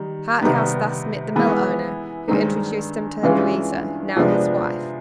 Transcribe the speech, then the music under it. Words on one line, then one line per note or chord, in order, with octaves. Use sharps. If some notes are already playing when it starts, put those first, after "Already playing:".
Harthouse thus met the mill owner, who introduced him to Louisa, now his wife.
Already playing: D#3 G3
C3 D#3 G3 B3 D#4
E3 G#3 B3 E4
G2 D#3 G#3 C4 D#4
G2 E3 G#3 C#4 F4
C3 F3 G#3 B3 D4